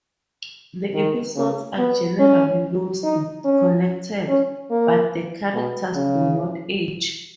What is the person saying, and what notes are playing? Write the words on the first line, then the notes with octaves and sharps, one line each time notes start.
The episodes are generally loosely connected, but the characters do not age.
D#3
C#3
B3
C#4
D#4
C#4
C#4
A#3
B2
C#3